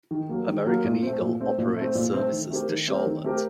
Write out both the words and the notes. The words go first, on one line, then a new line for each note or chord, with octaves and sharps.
American Eagle operates services to Charlotte.
D#3
F#3 A#3
D#3
F#3 A#3
A#2
A3 C4
A#2
A3 C4
A#2
A3 C4
A#2
A3 C4
D#3
A3 C4 G4 A#4
D#3
A3 C4 G4 A#4
D#3
A3 C4 G4 A#4